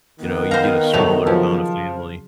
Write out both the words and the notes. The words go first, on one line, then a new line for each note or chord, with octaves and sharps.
you know, you get a smaller amount of family.
D#3 B3
C5 F5 A#5
C3 F#3 A3 F7
C#3 F3